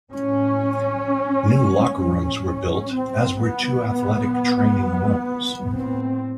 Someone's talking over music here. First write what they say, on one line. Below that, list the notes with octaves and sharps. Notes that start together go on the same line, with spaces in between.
New locker rooms were built as were two athletic training rooms.
A2 C#4
A2 C#4
C4
B3
A#2
A2 C4